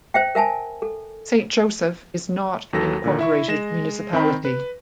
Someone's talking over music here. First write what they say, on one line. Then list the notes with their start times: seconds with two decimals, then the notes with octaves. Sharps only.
Saint Joseph is not an incorporated municipality.
0.14 C5 E5 G5
0.35 A#4 E5 G#5 A5
0.82 A4
2.73 D#2 F#3 A4 A#6
3.04 A#2 D3 D#3
3.19 E4 E5 C#6
3.48 G#3 A#6 E7
4.13 D#3 C4 G5 B5
4.45 B4